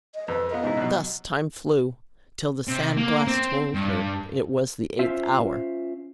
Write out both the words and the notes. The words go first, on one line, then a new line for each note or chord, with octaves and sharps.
Thus time flew, till the sand-glass told her it was the eighth hour.
D#5
F2 B4
B3 F4 A#4 D#5
G#2 C3 E4
B2 F#3
C3
A#3
C4
G2
C#4 F4 C5 E5